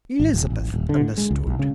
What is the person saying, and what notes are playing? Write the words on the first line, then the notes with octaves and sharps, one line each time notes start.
Elizabeth understood.
G#1
D#1
A1
D#1
D3
A2
G#3
C#2
B1
C#3